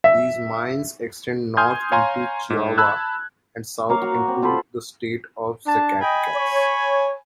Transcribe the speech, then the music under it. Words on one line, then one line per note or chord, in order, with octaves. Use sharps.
These mines extend north into Chihuahua and south into the state of Zacatecas.
E5
G#5 C6 D#6 F6 G6 G#6
C#5 F5 G#5 A#5 C6
G#2
A5 B5 E6 F#6 G#6
A#3 A#4 C#5 F5
F#4 F#5
C#5
C4
F4 A4 C5 B5
D4 A5
D#5 G5 G#5 B5
C#5